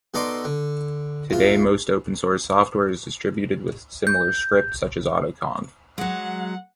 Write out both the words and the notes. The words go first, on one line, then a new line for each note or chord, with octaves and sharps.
Today, most open source software is distributed with a similar script, such as autoconf.
B2 D#4 A4 D5 C6 D6
D3
E2 F4
G6
F#3 G#3 F#5